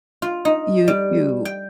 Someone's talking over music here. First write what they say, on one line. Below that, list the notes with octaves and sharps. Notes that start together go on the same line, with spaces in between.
you you
F4
D#4
G3
G5